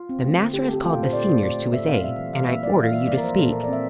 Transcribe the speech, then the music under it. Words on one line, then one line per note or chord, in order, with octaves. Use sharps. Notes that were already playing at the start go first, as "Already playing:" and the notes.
The master has called the seniors to his aid, and I order you to speak.
Already playing: F4
C4
A3
D3
D3 G4
A4
C4
G4
A3 F4
A4
A#2 C5
A#2 D5
C4 D5
A3 D5
A#2
A#2 E5
C4 F5
G3 E5
E3
E3 F5
A#3 E5
G3 D5
E5
E3
F5
E3 E5
A#3 D5
A#4
F3 C5
A#2 A4
A#2 A#4
D5
C4
E5